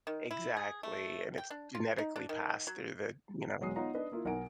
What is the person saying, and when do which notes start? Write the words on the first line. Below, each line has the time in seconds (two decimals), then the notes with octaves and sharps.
Exactly, and it's genetically passed through the you know?
0.07 D#3
0.31 E4
0.57 G#4
0.83 A3
1.38 G5
1.50 D4
1.75 F4
1.98 D#4
2.16 D4
2.29 D#3
2.67 F#3
3.60 E1 F#3 G#3 D#6 C7
3.76 B3 D#4 F4 C#5 F#5 A#5
3.94 D4 B4 D#5
4.12 A#3 E4 F4
4.25 B1 A#4 F#5 G#5 D7